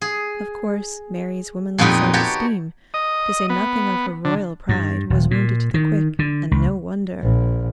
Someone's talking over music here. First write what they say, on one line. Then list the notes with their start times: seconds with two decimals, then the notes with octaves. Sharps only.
Of course, Mary's womanly self-esteem, to say nothing of her royal pride, was wounded to the quick, and no wonder.
0.01 G#4
1.78 F2 A#2 B3 D#4 G4
2.14 F#4 G4 C#5 G5 A5
2.94 D#5
3.49 B3
4.25 D3
4.69 G2
5.10 D#1
5.31 A#2
5.74 D#3
6.19 D3
6.51 C#2
7.22 A#1